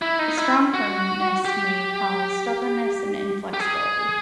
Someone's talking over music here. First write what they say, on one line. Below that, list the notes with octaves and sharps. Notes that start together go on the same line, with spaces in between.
A strong Firmness may cause stubbornness and inflexibility.
E4
D#4
E4
F#4
G4
G4
G#4